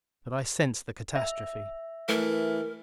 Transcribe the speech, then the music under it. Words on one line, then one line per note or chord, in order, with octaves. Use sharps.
But I sensed the catastrophe.
E5
E3 A3 A#4